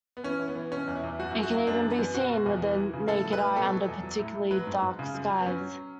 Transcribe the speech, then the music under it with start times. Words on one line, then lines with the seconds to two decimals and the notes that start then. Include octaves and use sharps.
It can even be seen with the naked eye under particularly dark skies.
0.17 B3
0.24 E3 C#4
0.39 E3
0.48 B3
0.55 E3
0.71 B2 C#4
0.88 E2
0.95 E4
1.03 E2
1.19 F#2 F#4
1.31 F#2 E4
1.43 F#4
1.51 F#3 E4
1.67 F#2 D4
1.82 E3
1.90 B3
1.98 F#2
2.15 B2 F#4
2.29 B2
2.46 E2
2.62 E3
2.78 E3
2.94 C#3
3.08 A2 A4
3.25 F#3
3.33 B4
3.40 A2
3.56 B2 A4
3.72 F#3
3.88 E2
4.03 F#3
4.19 A2
4.35 A2
4.51 F#3 B4
4.67 G#2
4.82 G#2
4.99 C#3
5.14 F#2
5.30 F#2
5.40 B3
5.46 F#3 C#4
5.61 F#3